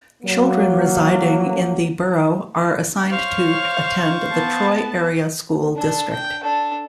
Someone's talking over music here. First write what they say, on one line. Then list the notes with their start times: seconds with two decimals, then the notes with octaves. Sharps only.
Children residing in the borough are assigned to attend the Troy Area School District.
0.23 F#3 A#3
3.12 C5 C#5 F5 C#6 F6
4.32 B3 A5
5.76 D4 A4
6.12 G5
6.44 D4 A4